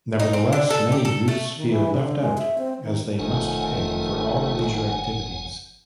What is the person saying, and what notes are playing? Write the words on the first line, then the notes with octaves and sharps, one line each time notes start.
Nevertheless, many youths feel left out, as they must pay for all leisure activities.
D#4
C4
D3
A4
G4
A4
A3
D#3
E3
D3
G#3
E5
C4
D#3
F#1 D#3 F3 A3 F#5 G#5